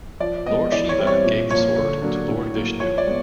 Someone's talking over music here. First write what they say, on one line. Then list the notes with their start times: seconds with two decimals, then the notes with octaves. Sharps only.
Lord Shiva gave the sword to Lord Vishnu.
0.20 F3 D5
0.46 G#3 B3 D#5
0.72 E3 D5
0.89 C#5
0.98 G3 C4 E4
1.07 C#5
1.24 A#2
1.50 F3 A#3 C#5
1.76 D3
2.02 F#3 A#3 D4
2.29 A2
2.54 F#3 A#3
2.80 F3 C#5
2.98 D5
3.07 G#3 B3